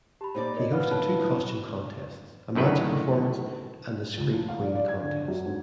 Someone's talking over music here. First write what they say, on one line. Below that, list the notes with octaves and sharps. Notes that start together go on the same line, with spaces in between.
He hosted two costume contests, a magic performance, and a scream queen contest.
G4 A5 B5
A#2 D#4 C5 D5
A#4 C#5 D#5
B2 B4 F5 B5 F6
A2 A5 B5 F#6
F#2 A2 D#3 B4
C#2
F3
F5
D5
D5
G#6
D3
F#2
G#2